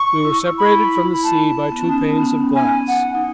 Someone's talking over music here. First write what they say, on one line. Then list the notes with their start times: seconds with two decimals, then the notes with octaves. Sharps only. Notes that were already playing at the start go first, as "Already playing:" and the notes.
We were separated from the sea by two panes of glass.
Already playing: C#6
0.25 E4
0.58 B5
1.24 A5
1.72 B3
1.81 C#4
1.89 D#4
2.17 B3
2.22 C#4
2.55 G#5
2.88 F#5
3.15 D#4